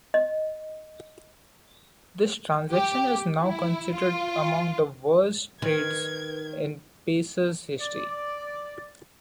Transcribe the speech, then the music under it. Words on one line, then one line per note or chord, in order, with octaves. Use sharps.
This transaction is now considered among the worst trades in Pacers' history.
D#5
G4
E4
F4
D#3 B4 G#6
D5